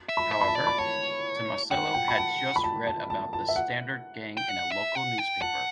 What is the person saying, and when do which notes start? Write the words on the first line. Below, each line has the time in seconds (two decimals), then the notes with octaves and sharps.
However, Tomasello had just read about the Stander Gang in a local newspaper.
0.09 E5
0.17 B5
0.32 E5
0.41 B5
0.48 A5
0.55 D5
0.67 B5
0.78 C#5 A5
1.71 F#5 G5
1.94 G5
2.08 B5
2.18 A5
2.56 B5
2.64 A5
2.87 A5
3.10 A5
3.33 A5
3.48 E5
3.56 F#5
4.37 G5
4.49 F#5
4.72 E5
4.95 F#5
5.18 G5
5.41 F#5 A5